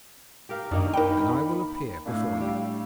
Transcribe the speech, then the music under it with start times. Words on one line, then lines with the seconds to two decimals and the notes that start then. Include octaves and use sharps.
Then I will appear before you.'
0.49 G4 A#4 F5
0.71 F#2 D#3 A#3 D4 D#4
0.94 D#4 A#4 G5 B5
2.05 A2 A3 D4 F5
2.41 G3